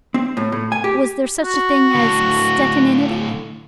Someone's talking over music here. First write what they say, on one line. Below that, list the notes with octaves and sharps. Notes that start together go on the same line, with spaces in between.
Was there such a thing as Stettininity?
C4
A2
A2
G#5
G4
F#4
A2 D3